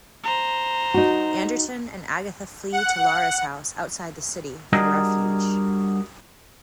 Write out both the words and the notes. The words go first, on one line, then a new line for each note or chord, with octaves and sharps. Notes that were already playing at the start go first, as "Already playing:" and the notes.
Anderton and Agatha flee to Lara's house outside the city for refuge.
C5 A#5
D#4 F#4
F#5
G3 D4 F#4 G#4 A#4 D#5